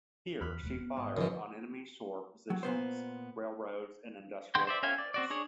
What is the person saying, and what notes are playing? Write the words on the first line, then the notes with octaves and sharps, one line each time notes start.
Here she fired on enemy shore positions, railroads, and industrial targets.
E2 B5 F6 F#6
E1 E2 A3
B3
G#1 D#5
F#2 B2 D3 F3 E4 F4
F#3
A#2 B3 C5
D#3 F#5 G5 C6 G6
C5 D5 E5
C#4 E5 F5 G5 G#5
D5
C4 F#4 D5
D4 G#4 C#5